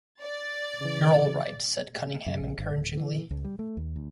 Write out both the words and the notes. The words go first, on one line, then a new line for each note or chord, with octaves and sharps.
"You're all right," said Cunningham encouragingly.
D5 A6
C#3 E3
F#2
A#1
G1
D1
E3
C#2
G3
A3
D#2
D2